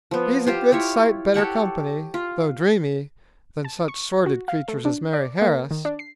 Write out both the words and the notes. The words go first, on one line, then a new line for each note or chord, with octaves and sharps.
"He's a good sight better company, though dreamy, than such sordid creatur's as Mari' Harris."
F3 B3
F4 G4 C5
E4 F4 C#5
G4 A4 C#5 F#5
F4
A5
C#6
F#4
F5
A3
D4
D5
A#3
D#3
D4
C7